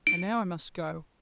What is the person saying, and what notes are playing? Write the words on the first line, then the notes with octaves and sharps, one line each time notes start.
And now I must go.
D7